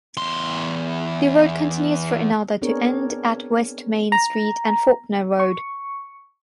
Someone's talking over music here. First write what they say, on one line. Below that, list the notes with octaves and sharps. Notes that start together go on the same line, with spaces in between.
The road continues for another to end at West Main Street and Faulkner Road.
E2 C6
B3 C4 D4 G#4 A#4 C#5
A#5
C#6